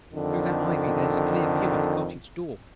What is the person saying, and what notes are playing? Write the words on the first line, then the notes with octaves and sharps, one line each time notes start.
"Through that ivy there's a clear view of the cottage door."
F2 D3 D#3